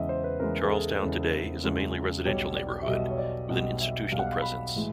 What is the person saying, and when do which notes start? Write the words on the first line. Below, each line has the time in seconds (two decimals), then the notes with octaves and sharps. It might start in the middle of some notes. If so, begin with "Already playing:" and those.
Charlestown today is a mainly residential neighborhood with an institutional presence.
Already playing: E2 C#3 E3 G#3 D#5 E5
0.09 C5
0.24 B4
0.40 E2 C#3 E3 G#3 A#4
0.64 G#4
0.71 A4
0.90 G#4
1.01 E2 C#3 E3 G#3 A4
1.64 E2 C#3 E3 G#3
2.25 B1 B2 G3 C#5
2.56 D5
2.82 E5
2.87 B1 B2 G3 D#5
3.10 C#5
3.18 D5
3.50 B1 B2 G3 D#5
3.80 E5
4.12 B1 B2 G3 F5
4.19 F#5
4.27 F5
4.42 B5
4.75 A2 E3 G#3